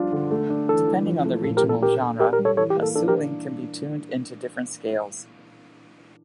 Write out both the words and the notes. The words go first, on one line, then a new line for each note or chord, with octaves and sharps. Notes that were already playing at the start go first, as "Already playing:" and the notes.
Depending on the regional genre, a suling can be tuned into different scales.
Already playing: F3 G3 D4 F4
D3
A3
D4
E3 A4
E3
F3
A3
A#2 A4
G4 A#4
A#2
A4
D4 G4 A#4
A4
G4 A#4 D5
G4 A#4
G3
A4 C#5
E3 A4 C#5
G4
A#3
A4
D4 A4
G4 A#4